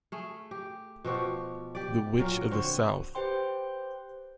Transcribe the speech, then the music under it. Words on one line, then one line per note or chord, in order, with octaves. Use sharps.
The Witch of the South.
A3 G#4
G4
B2 F3 F#4 G4
G4 D5
A#2 F#3 A#4
D3 C4 F#4
G4 B4 C5 G5 C6